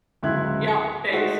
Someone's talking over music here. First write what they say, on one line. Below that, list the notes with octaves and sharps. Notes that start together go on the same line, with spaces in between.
Yep. Thanks.
D1 C#2 E4 F#6 G#6
C#7
G#3 A3 D#4 F#4 C5